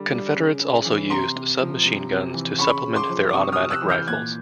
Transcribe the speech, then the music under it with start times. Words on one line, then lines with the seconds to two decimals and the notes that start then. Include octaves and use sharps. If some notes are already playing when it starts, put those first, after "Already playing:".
Confederates also used submachine guns to supplement their automatic rifles.
Already playing: D3 G3
0.11 G3
0.36 C#3
0.61 C#3
0.86 E3
1.10 C3 A#5 C6
1.36 C3
1.61 F3
1.86 C3
2.10 C3
2.34 E3
2.59 C#3 B5 C#6
2.84 C#3
2.96 C6 D6
3.09 F3
3.29 D6
3.33 C3 C#6 D#6
3.52 D#6 F6
3.58 C3
3.70 E6 F#6
3.83 E3
3.89 F6 G6
4.08 A#2 F#6 G#6